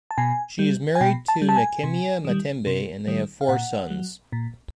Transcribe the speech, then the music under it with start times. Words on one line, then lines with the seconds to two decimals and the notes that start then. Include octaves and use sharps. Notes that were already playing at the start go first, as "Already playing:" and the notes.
She is married to Nekemia Matembe and they have four sons.
0.11 A5
0.18 B2 G#5
0.59 G3
0.95 G#5
1.01 B2 G5
1.28 A5
1.42 G3
1.49 A5
1.56 G#5
1.83 C3
2.25 D#3 G3
2.67 C3
3.07 D#3 G3
3.41 F5
3.49 A#2 F#5
3.90 F#3
4.32 A#2